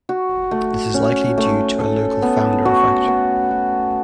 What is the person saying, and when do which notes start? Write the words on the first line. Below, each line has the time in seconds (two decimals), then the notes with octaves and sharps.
This is likely due to a local founder effect.
0.09 F#4
0.51 A3
0.94 C#4
1.38 A3
1.80 A4
2.22 B3
2.65 F#4
3.08 B3
3.51 F#4